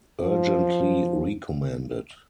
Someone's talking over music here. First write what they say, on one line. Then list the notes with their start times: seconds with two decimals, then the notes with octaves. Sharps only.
Urgently recommended!
0.23 F3